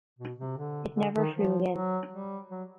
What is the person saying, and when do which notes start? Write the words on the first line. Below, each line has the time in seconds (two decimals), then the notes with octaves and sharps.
It never flew again.
0.19 B2
0.39 C3
0.58 D3
0.95 D3
1.16 D#3
1.35 F3
1.73 F#3
2.11 G3
2.50 F#3